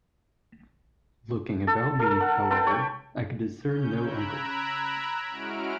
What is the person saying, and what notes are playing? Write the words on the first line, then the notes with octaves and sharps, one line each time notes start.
Looking about me, however, I could discern no uncles.
A4
A4 A#4
F#5
A4 B4 G5 C6
C#5 G5
C#3 C#4 G6
A#5 B5 E6 F#6 G#6 D7
G#3 C#4 E4 F#4 F6 D7